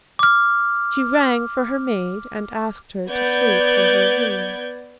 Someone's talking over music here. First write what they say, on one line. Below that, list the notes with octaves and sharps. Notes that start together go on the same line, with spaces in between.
She rang for her maid and asked her to sleep in her room.
D6 F6
B3 D5 G6 G#6